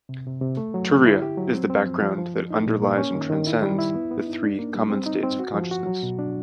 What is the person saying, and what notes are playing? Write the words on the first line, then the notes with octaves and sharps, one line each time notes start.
Turiya is the background that underlies and transcends the three common states of consciousness.
C3
C3
C3
A3
F#3
D3
E4
G4
F#3
C4
C4
F3
F3
F3
F3
D#4
A#2
A#3
C#4
D#3
D#3
E4
G3
E4
B3
B3
D#4
D4
A#3
G3
C4
D#4
C4
F#4
F3
F#4
F#3
B2
D4